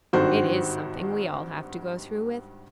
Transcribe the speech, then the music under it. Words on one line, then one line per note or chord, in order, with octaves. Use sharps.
It is something we all have to go through with.
G#1 G2 D#3 F#4 C5